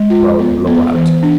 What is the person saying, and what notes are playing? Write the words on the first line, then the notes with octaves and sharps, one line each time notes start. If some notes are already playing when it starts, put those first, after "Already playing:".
Swell blowout.
Already playing: G#3
F4
B3
B3
E3
D4